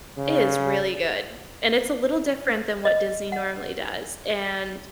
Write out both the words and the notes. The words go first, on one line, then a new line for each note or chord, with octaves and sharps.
it is really good, and it's a little different than what Disney normally does, and
C#3
D#5
F#5